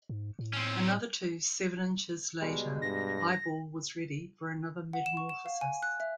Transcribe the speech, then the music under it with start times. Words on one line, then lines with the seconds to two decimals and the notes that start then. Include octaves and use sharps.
Another two seven-inches later, Piebald was ready for another metamorphosis.
0.09 G#2
0.39 A2
0.53 C4 C#4
2.42 B2 G3 G#3
2.82 G2 A#6
4.93 F#5
5.06 E7
5.17 C#6
5.29 E7
5.46 F5
5.61 G#5
5.82 F#6
6.00 E5